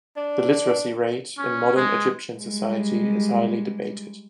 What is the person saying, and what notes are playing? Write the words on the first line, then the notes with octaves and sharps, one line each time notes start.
The literacy rate in modern Egyptian society is highly debated.
D4
C#4
G#3
G3 G#3